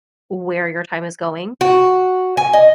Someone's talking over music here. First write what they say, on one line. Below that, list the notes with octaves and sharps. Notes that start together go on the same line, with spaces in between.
where your time is going
F#4
G#5
D#5